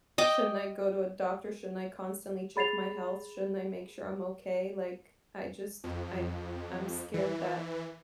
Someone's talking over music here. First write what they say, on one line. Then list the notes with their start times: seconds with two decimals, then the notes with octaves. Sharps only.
shouldn't I go to a doctor? Shouldn't I constantly check my health? Shouldn't I make sure I'm okay? Like, I just, I I'm scared that
0.18 D#5 G5 D6
2.56 G#4 B5 A6 C7 F7
5.84 F2
7.14 E3